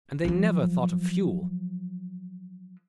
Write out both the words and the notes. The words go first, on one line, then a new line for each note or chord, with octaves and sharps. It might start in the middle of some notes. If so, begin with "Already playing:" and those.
And they never thought of fuel.
F3 F#3